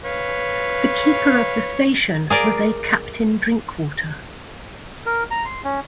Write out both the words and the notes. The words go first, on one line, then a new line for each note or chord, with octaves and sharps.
The keeper of the station was a Captain Drinkwater.
B4 C#5 F5
G#4 A#4 D5
A#4
A#5
C6
C#4